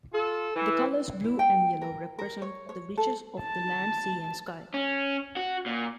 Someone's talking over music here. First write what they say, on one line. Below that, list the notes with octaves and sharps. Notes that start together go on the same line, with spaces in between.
The colours blue and yellow represent the riches of the land, sea and sky.
F4 A4
E3
E4
G5
A#4
A#4
C#5
C#5
A4
A5
C#4
F#4
A#2